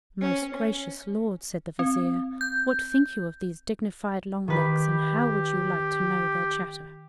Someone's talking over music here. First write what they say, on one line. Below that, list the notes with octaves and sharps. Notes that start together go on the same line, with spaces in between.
"Most gracious lord," said the Vizier, "what think you of these dignified long legs, and how would you like to know their chatter?"
C#4
C#4
C4
G6
D#3 G4 B4 B5